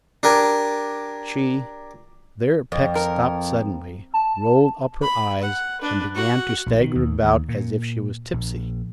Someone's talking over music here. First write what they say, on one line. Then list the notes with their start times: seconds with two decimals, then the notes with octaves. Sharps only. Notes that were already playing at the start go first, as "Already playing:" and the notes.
She'--there Peck stopped suddenly, rolled up her eyes, and began to stagger about as if she was tipsy.
0.23 D4 G4 A#4 G#5
2.72 F2
2.95 A#4
4.14 A5
5.02 B5
5.42 F#5
5.81 D4 B4
6.15 F#4 F#5
6.66 A#1
6.80 D#3
6.95 D#2
7.23 D#2
7.49 A#2
8.33 A#1